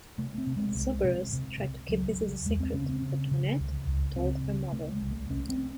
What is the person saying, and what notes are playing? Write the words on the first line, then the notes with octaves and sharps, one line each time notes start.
Soubirous tried to keep this a secret, but Toinette told her mother.
C3 A3
C4
C3
G#3
C2
C3
C3
C3
C#2 F#3
C#2
E2 G#3
C4
C#3 C#4
C4
C#3
C#3
C#2
C#2
C#3 C4
C#3
C3 A3
G#3
C2
A3
C2 C#4
C4